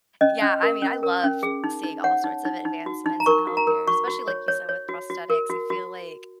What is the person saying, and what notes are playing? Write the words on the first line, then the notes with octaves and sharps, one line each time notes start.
Yeah, I mean, I love seeing all sorts of advancements in health care, especially, like you said, with prosthetics, I feel like,
C#4 D#5
C#4
A#4
C#4
A#4
C#4
G#4
D#4
D#4
C#5 F#5
D#4
D#4
D#4
F#4
D#4
A#5
A#4 C#6
F#4
A#5
A#4
F#4 C#6
F#4
C#5
C#5
C#5
F#4
F#4
A#4
F#4
F#4